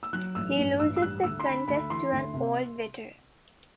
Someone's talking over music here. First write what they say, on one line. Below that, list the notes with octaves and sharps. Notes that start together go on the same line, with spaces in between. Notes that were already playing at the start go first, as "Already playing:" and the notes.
He loses the contest to an old veteran.
E6
F#3 F#6
A1 E6
G2
A1 E6
E6
G3 F#6
D2 E6
C6
D3 B5
D2 B5
E3 C6
D2
C3